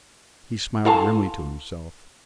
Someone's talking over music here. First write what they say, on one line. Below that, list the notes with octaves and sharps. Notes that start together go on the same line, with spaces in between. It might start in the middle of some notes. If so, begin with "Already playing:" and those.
He smiled grimly to himself.
E4 A4 F5 G#5 A5 C6